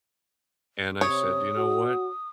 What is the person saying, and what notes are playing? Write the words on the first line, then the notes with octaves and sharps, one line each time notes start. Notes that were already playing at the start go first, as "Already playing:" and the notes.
And I said, "You know what?
C3 C#5 D#6
F#4